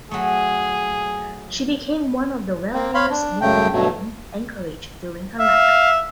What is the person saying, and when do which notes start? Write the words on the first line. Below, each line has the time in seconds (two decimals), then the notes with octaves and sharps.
She became one of the wealthiest women in Anchorage during her life.
0.11 F#3 A3 G#4
2.74 A#3 C4
2.94 C#5 F5 B5 C6
3.10 D4
3.41 F#2 C#3 A3 G5
3.73 G2 B2 F#3 A3
5.39 E5 F5